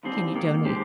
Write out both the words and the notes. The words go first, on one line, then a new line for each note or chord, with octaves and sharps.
"Can you donate"
D#2 D#3 G3 C4
G#2 D#3 A#3
D#3 G#3 C4 G4